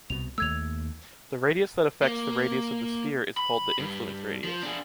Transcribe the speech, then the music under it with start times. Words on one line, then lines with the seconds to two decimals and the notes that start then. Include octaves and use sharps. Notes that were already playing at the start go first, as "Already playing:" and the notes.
The radius that affects the radius of the sphere is called the “influence radius”.
0.10 C2 B2 F7
0.38 D#2 A3 E6 G#6 F7
2.03 A#3
3.37 B5
3.79 G2
4.44 F3
4.63 D4 G#4